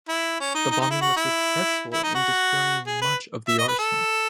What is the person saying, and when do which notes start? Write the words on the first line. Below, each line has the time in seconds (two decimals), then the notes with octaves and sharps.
The bombing was successful in destroying much of the arsenal.
0.09 E4
0.40 C#4
0.55 D#4
0.71 D#4
0.81 D#4
0.91 E4
1.01 F#4
1.17 E4
1.93 E4
2.03 D#4
2.15 F#4
2.87 G#4
3.01 B4
3.48 E5
3.59 D#5
3.68 B4
3.79 A4